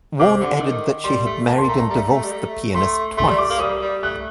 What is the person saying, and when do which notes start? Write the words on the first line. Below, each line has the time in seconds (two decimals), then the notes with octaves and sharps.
Warne added that she had married and divorced the pianist twice.
0.19 C3 D6
0.41 D3
0.56 D3
0.62 D#3
1.04 G3 C6
1.26 A3
1.47 A#3 A5
1.58 C6
1.68 A3 A#5
1.79 A#5
1.90 G3
1.97 A3
2.04 G3
2.12 A3
2.24 G3
2.32 A3
2.75 A3 C6
3.17 A3 C6
3.28 G3
3.38 D6
3.50 A#3
3.60 G3 D#6
3.81 G3
4.02 A3 F#6